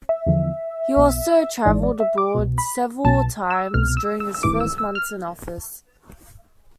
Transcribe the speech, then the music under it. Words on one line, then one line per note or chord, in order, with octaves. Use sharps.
He also traveled abroad several times during his first months in office.
E5
E2 D3 F3
B1 B2
G#1 G#2 E3 D5
D5
E5
D6
C2 B2
B5
B1 B2 A5
E6
C2 B2 F6
E6
E6
E6
G#1 G#2 E3 D6
E6
E6
F6